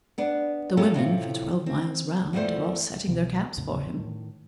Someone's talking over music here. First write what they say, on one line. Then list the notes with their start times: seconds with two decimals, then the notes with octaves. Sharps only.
The women, for twelve miles round, are all setting their caps for him.
0.18 B3 D4
0.77 A#3 C#4 F4 G4 A4
0.94 A2 C3 C4 F4
1.66 C4
2.33 E2 F3 G3 A3 C5
3.07 C2 B2 D#3 F3
3.57 A#1 E2 A2 C#3
3.98 A2 D#3